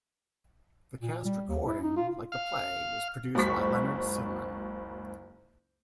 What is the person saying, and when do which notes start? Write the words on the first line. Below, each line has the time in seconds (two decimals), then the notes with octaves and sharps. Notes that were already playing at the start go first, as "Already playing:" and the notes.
The cast recording, like the play, was produced by Leonard Sillman.
1.01 A#2
1.25 G3
1.49 D#2
1.66 E4
1.83 D#4
1.96 F4
2.32 F5
3.35 F#1 C#2 F#3 C5 C#6 B6